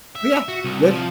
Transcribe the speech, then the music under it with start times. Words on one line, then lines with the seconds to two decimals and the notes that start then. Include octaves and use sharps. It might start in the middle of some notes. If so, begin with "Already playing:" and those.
Oh yeah. Good.
0.15 E5
0.48 F#4
0.64 C2
0.90 F3